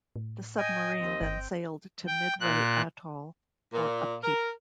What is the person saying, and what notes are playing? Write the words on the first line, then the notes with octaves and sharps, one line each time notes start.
The submarine then sailed to Midway Atoll for upkeep.
A2
D#5 G5 G#5
D#2 C4
G1 C4 G5
G5
A#2 F#6
A#2
A#4